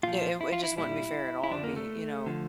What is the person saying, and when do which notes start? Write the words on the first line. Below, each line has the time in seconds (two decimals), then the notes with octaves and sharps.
It it w it just wouldn't be fair at all. It'd be, you know,
0.03 A#2 F3 F4
0.41 E4
0.53 F4
0.64 E4
0.77 A#2 G3 E4
1.44 E4
1.51 F2 D3 F3 D4
1.64 A#3
1.76 A3
2.26 D3 F3